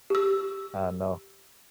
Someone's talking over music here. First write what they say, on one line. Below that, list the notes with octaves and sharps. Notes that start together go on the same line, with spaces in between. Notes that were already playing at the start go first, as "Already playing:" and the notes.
I know.
G4 E6